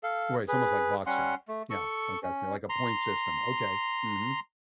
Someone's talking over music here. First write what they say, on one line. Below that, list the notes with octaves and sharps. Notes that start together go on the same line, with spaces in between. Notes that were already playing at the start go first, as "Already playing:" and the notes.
Right, it's almost like boxing. Yeah, I got you. Like a point system. Okay. Mhm.
A4 F5
G#4 B4
G3 C#4 F#5 C6
A3
A4 C#6
C#4
A#5 C6